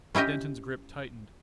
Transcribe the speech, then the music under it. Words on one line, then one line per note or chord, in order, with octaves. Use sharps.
Denton's grip tightened.
C#4 E4 G4 D#5 G5